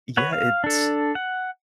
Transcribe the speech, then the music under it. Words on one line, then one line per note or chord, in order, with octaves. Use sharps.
yeah, it's
B4 C#5 F#5
F5
D4 A4
F#5